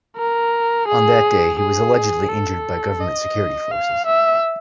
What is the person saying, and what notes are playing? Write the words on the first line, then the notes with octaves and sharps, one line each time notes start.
On that day, he was allegedly injured by government security forces.
A#4
G#4
G#4
A4
D#5
F5
E5